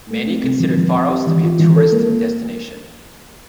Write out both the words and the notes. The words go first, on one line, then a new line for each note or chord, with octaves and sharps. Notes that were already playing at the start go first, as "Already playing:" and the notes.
Many consider Faros to be a tourist destination.
A3
C4
C3
F3
F3
C4
G4
E3
F4
E3
A4
A#3
A#3